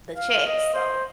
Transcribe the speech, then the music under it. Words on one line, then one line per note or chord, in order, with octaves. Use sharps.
the check, so
F5
D#5
C5